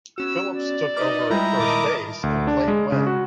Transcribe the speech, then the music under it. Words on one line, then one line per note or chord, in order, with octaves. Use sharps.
Phillips took over at first base and played well.
B3 C#4 F#4 E6
D5
D#4 B4 D#5 D6 F6
G3 G#3 E4 F4 G5 A#5
A#2 D#3 A#4 D#5 A5 D6
D2
D4
G#3
C#3
F#4